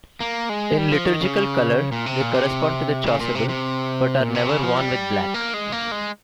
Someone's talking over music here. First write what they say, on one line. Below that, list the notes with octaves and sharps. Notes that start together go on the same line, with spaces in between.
In liturgical colour they correspond to the chasuble, but are never worn with black.
A#3
G#3
G3
F3
D#3
C#3
A#2
C3
A#2
C3
C#3
A#2
C3
C3
A#2
C3
C#3
F3
G3
A#3
G#3
A#3
G#3